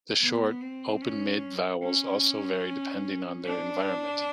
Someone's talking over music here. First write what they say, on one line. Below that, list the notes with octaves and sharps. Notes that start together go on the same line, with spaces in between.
The short open-mid vowels also vary depending on their environment.
B3
C4
C#4
C#4
D4